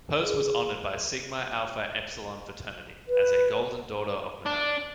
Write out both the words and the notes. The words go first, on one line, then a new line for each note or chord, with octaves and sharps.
Post was honored by Sigma Alpha Epsilon fraternity as a "Golden Daughter of Minerva".
G#4
B4
D4